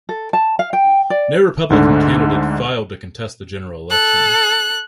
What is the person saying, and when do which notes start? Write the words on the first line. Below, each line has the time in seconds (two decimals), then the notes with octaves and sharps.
No Republican candidate filed to contest the general election.
0.09 A4
0.33 A5
0.59 F5
0.73 G5
1.10 D5
1.70 D2 G#2 D3
3.91 A4 F#6